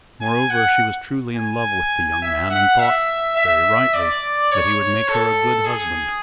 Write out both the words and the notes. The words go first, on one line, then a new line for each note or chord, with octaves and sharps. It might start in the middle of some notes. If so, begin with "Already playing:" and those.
Moreover, she was truly in love with the young man, and thought, very rightly, that he would make her a good husband.
G#5
F#5
G#5
E5
F#5
E5
E5
D5
C#5
A4
G#4